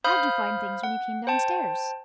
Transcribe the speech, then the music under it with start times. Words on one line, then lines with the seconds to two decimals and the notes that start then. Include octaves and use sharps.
How'd you find things when you came downstairs?
0.04 C5 F5 B5 D#6 F6 G6
0.83 F#5
1.27 C5 G5 A5